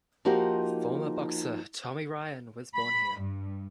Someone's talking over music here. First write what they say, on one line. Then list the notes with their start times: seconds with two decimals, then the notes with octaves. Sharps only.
Former boxer Tommy Ryan was born here.
0.25 F3 A#3 D#4 F#4 G4 C5
2.75 B5
3.19 G2